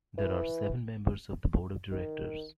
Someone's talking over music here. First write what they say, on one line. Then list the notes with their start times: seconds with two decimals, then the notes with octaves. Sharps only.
There are seven members of the board of directors.
0.18 E3
1.92 D#3